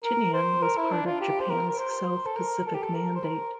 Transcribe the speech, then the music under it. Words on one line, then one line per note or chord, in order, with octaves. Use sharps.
Tinian was part of Japan's South Pacific Mandate.
A#4
C5
A#4
E4
D4
F4
G4
C5
A#4
A#4
C5
A4
A#4
A4
G4
A4
A#4
C5
A#4